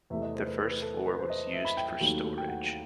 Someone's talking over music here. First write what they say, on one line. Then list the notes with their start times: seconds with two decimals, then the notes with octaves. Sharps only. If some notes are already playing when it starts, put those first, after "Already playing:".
The first floor was used for storage.
0.10 E2 C3 E3 A3 E5
0.22 D#5
0.34 C5
0.46 B4
0.58 B4
0.70 B4
0.82 A4
1.06 B4
1.19 C5
1.30 D#5
1.53 E5
1.65 B5
1.77 G5
1.89 G5
2.00 D#2 D#3 F#3 A3
2.38 G5
2.48 F#5